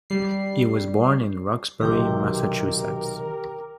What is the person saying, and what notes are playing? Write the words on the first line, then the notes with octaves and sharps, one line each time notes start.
He was born in Roxbury, Massachusetts.
G3 C7
B1 C3 D#3 F#3 G4 A#4 G5 D6